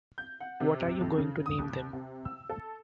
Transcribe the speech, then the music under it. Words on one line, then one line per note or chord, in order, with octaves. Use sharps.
What are you going to name them?
G6
F#5
C3
F2
C#3
D#6
D#2
C3
E6
A4